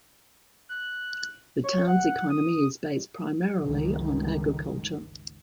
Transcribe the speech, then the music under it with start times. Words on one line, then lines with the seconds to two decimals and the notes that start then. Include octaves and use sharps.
The town's economy is based primarily on agriculture.
0.69 F#6
1.64 C#5
1.88 F#5
2.30 D#6
3.62 G1 C#2 D#3